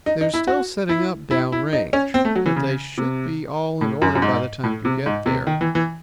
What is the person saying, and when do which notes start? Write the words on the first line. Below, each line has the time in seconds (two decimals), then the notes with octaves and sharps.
They're still setting up down range but they should be all in order by the time you get there.
0.06 D#4
0.21 D#4
0.34 E4
0.48 F#4
0.89 E4
1.31 E4
1.52 E4
1.73 D#4
1.93 C#4
2.14 C4
2.25 A3
2.36 F#3
2.46 E3
2.56 C#3
2.98 C3
3.81 A2
4.02 F#2
4.15 F#2
4.22 G#2
4.64 A2
4.85 C3
5.06 G#2
5.26 C3
5.47 D#3
5.61 E3
5.75 E3